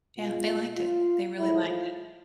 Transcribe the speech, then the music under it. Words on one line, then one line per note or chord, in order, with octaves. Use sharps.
Yeah, they liked it. They really liked it.
B2 G#3 F4
F4
A2 F3 G#3 E4
F4